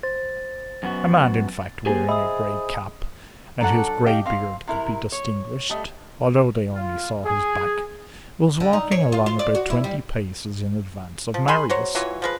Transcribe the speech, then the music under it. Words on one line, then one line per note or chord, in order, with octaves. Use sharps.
A man, in fact, wearing a gray cap, and whose gray beard could be distinguished, although they only saw his back, was walking along about twenty paces in advance of Marius.
C5 A6
F#2 B3 F#4
A#3 G4 G#4 C5 G#5
D#5 E5 B5 D#6
F#3 D4 A4 F#5
G4 D#5 F5 G5
C4 F5
C3 E4 A#4
C#5
G3 A3 D#5
F4
G#4
D3
D#4
C#5
F4
F4
D5
F#4
E4
G3
F3
G#4 G#5 B5 C6
F#3 C5 C#5
E3 F#3 F4 C#5
F3 G#3 B4